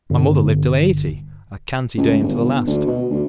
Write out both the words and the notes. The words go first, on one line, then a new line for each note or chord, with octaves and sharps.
My mother lived till eighty, a canty dame to the last.
G1
C#2
G1
D2
B2
D2